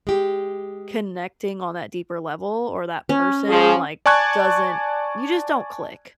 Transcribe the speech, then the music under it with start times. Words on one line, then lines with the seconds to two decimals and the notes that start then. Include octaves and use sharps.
connecting on that deeper level or that person like, doesn't you just don't click.
0.07 G#3 G4
3.09 C#4
3.47 F3 G#4
4.06 D5 G#5 A5 C#6 F#6 G#6